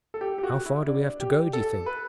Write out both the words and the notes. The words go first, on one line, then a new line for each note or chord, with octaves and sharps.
"How far do we have to go do you think?"
A4
G4
G4
F#4
E4
D4
G4
A4
B4